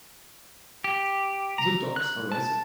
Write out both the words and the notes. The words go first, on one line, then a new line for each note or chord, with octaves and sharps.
The dogs are racing.
G4
A#5
F#6
A5